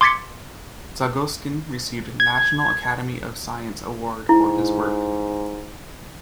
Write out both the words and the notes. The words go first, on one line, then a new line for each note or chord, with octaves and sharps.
Zagoskin received national Academy of Science award for his work.
C6 D6 G#6 A6 B6 C#7
G#6
G#2 E4